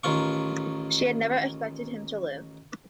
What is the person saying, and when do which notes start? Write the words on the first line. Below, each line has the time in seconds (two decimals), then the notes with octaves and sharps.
She had never expected him to live.
0.04 A1 D#3 F4 C#6